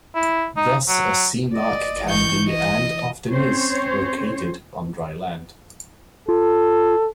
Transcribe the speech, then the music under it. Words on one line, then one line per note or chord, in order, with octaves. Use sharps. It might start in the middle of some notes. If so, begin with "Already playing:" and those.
Thus a sea mark can be and often is located on dry land.
E4
D#4
F#3
D5 D#5
E3 C#6 G6
D#5
C4 C#4 C5 C#5
F4 A4